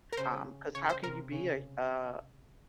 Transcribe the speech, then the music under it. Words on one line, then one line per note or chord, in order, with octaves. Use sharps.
um, 'cause how can you be a a
A#4
C#3 C5
C#3 C#5
C5
C3 A#4
C#3